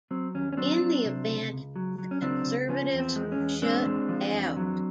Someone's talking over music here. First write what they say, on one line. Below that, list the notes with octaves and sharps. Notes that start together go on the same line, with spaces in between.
In the event, the Conservatives were shut out.
F#3 C4
D#2 C#4
C#4
F#3 C4 D4
F#3
C3
C#2
C#2
F#3
F#3
C#4
C#2 C4 D4
C#2
F3 C#4
E2
C4
G#3
C#4
E2
G#3 C4 D4
G#3
F3
E2
F#3